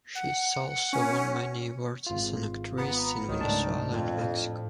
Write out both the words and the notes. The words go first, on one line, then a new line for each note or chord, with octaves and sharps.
She's also won many awards as an actress in Venezuela and Mexico.
F#5
C#4
G#1 F4
B3 A#5
C#2 D#3 F#3 D#6
G#2 C#3 A3 C#4 D4 A5
F2 A2